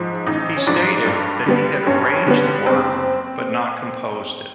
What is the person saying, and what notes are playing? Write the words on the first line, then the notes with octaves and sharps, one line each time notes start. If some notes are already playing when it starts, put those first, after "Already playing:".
He stated that he had arranged the work but not composed it.
Already playing: G#2 F3
A1 D#4
C#4
G#2 F3 D4
G2
D3 G3 B3
G2 C#4
D3 G3 B3
F#1 C4